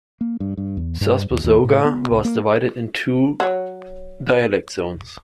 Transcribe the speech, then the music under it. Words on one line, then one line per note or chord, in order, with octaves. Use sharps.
Thus Busoga was divided into two dialect zones.
A#3
G2
G2
E2
G2
D#2
D#2
A2
B3
C2
A#3
F#3 C#5